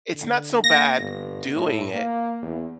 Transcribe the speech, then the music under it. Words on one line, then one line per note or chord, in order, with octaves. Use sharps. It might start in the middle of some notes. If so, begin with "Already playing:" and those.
it's not so bad doing it,
D3
A#3 A#6
G1
A2
A#3
E2